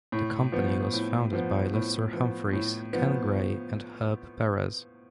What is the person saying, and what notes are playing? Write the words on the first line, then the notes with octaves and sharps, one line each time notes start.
The company was founded by Lester Humphreys, Ken Grey, and Herb Perez.
A2
F3 B3
A2
F3 B3
A2
F3 B3
A2
F3 B3